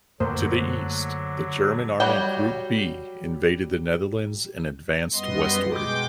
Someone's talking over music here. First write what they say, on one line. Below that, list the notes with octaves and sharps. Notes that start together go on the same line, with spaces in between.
To the east, the German Army Group B invaded the Netherlands and advanced westward.
F#2 D3 F#3 A3 A#3 C5
F#3 G3 G5
F#2 G3 B3 D#5 C6
B2 G#3 G5 D6